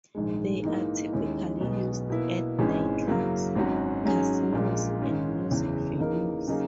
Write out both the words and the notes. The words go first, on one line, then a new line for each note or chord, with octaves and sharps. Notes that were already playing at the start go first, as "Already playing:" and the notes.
They are typically used at nightclubs, casinos and music venues.
A#1 G#2 D#3 G#3
G#2 E3 A#3 D#4
D#2 D#3 G#3 C#4 E4
B1 B2 G#3 B3
B2 A#3 E4 B4
G#1 G#2 E3 G#3 C#4
F#2 C#3 F#3 A#3 E4
G#1 G#2 F#3 C#4 F#4
G#2 F#3 C#4 G#4
A#1 A#2 G#3
G#2 D#3 G#3 C#4
F#1 E2 C#3 E3
C#3 E3 A#3 D#4 A#4
C#3 F#3 A#3 D#4 G#4